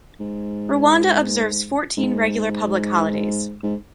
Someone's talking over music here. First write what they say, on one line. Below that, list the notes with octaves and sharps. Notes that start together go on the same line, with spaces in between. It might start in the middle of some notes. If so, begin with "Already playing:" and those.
Rwanda observes fourteen regular public holidays.
G#2
G#2
G#2